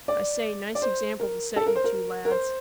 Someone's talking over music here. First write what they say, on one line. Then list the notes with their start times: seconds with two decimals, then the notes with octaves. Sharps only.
I say, nice example to set you two lads.
0.08 D5
0.75 D5
0.82 C5
1.20 A#4
1.56 A4
1.67 A#4
1.75 C5
1.84 A#4
2.25 A#4
2.31 C5